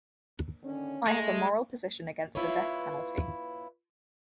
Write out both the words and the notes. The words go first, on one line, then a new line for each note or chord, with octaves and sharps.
I have a moral position against the death penalty.
D3 D#3 C#4
G#3 A3
E4 F4 B4 C#5